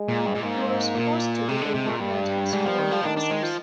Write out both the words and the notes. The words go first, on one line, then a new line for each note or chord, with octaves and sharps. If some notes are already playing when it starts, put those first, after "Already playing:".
You're supposed to be the one that has all the answers.
Already playing: G#3
A#2
G2
A#2
G#2 A#3
A#2
C3 G#3
D3
C3
A#2
G2 G3
G#2
F3
D#3
F3
D#3 D4
D4
G#3
F3